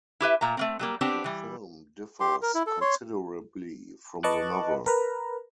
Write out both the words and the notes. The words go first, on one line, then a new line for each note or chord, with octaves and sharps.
The film differs considerably from the novel.
E4 G4 B4 E5
A#2 A3 A#5
A3 A#3 C4
F#3 G3 A#3
B3 C4 D4 G4 C5
E3 G3
G4 C6
A#4
E4
A4
C#5 C6
B4 D#5 A5 C#6 D6 F#6
A#4 B4 A#5